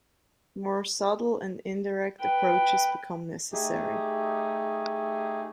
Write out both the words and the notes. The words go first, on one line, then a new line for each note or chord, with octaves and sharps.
More subtle and indirect approaches become necessary.
B4 G5
A3 D#4 G4 G#4